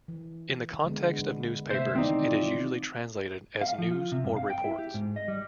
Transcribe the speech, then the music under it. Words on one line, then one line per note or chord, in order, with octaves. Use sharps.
In the context of newspapers it is usually translated as "news" or "reports".
E3
D3 G#3 B3
C3 A3 B3 C5 E5
D#3 E3 C4 D#4 D5
E4 F4 D5
F5
F3
F4
C3
G2
F5
G5
E4
G4
G#2
D#5
G3